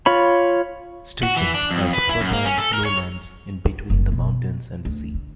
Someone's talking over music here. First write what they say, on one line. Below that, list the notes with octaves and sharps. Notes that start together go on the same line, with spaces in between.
Steigen has fertile lowlands in between the mountains and the sea.
F4 C#5 B5
F#4
E3
D4
F2
B4
E4
F#2
A#3
C#4
A4
A#4
C#5
F#1
B2
D2
D3